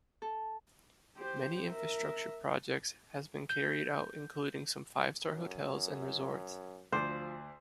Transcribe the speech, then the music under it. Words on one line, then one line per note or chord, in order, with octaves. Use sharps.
Many infrastructure projects has been carried out including some five-star hotels and resorts.
A4
G4 C5
A#4 E5
G6
F#2
D2 F3 C5 D5